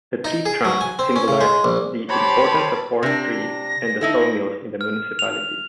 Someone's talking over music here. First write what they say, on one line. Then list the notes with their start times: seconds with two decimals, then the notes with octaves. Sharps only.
The tree trunks symbolise the importance of forestry and the sawmills in the municipality.
0.24 D#4
0.46 G#4
0.65 F#3
0.81 G#5
0.99 C4
1.16 C#4
1.28 C#3
1.41 G#3
1.64 A#1
2.09 G4 C5 C#5 A5 B5
3.03 C3 D4 A#6
4.01 D#4 E4 A4
4.81 F6
5.19 F7